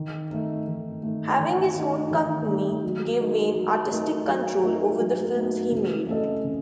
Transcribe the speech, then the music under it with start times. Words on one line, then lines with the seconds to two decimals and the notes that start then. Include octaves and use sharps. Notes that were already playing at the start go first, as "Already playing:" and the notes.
Having his own company gave Wayne artistic control over the films he made.
Already playing: D#3
0.30 A3 D#4
0.67 D#3
1.03 A3 D#4
1.39 D#3
1.75 A3 D#4
2.11 D#3
2.47 A3 D#4
2.84 F#3
3.20 A3 D#4 A#4
3.56 F#3
3.91 A3 D#4 A#4
4.28 F#3
4.64 A3 D#4 A#4
5.00 F#3
5.35 A3 D#4 A#4
5.72 C#3
6.08 A3 C#4 A4 D#5
6.44 C#3